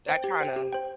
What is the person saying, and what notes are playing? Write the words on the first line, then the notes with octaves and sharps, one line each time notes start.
that kinda
C5 G5
G4
C5 G5
G4
C5 G5